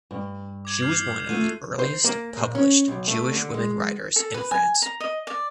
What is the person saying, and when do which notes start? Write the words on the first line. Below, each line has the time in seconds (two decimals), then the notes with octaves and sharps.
She was one of the earliest published Jewish women writers in France.
0.11 G2
0.65 D6 G#6 F#7
0.82 F6 G6 C7
1.29 A3 F4 F#6 D#7
1.79 C5
2.04 A#3
2.37 A#2
2.55 C#4
2.88 B1
3.08 A3
3.32 D3
3.54 G#3
4.16 A4
4.34 B4
4.51 G#5
4.82 A#5
5.00 D#5
5.27 D5